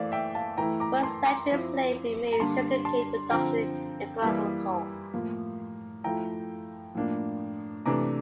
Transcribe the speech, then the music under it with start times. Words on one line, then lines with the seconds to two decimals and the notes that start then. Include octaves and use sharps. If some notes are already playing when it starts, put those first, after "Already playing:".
For centuries slavery made sugarcane production economical.
Already playing: E3 A3 E4 C5 D5 F5
0.12 E5 G5
0.35 F5 A5
0.58 E3 A3 E4 G5 A#5
0.80 A#5 D6
1.03 A5 C6
1.26 A#5 D6
1.49 F3 C4 E4
2.33 A#5
2.40 D3 G3 A#3 D4 A5 C6
2.85 A5 C6
3.30 D3 F3 C4 G5 A#5
4.22 E3 G3 A#3 E4
5.14 A2 F3 A#3
6.04 F3 A3 E4 G5 A#5
6.95 A2 F3 A#3 D4
7.86 C3 E3 A3 D4 A#5 D6